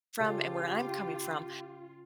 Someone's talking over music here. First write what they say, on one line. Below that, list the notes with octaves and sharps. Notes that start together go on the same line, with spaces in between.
from and where I'm coming from,
C#3 F4 G4 A4